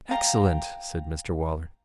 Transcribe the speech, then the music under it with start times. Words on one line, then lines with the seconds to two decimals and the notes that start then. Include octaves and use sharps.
'Excellent,' said Mr Waller.
0.11 F5 G5 A5 A#5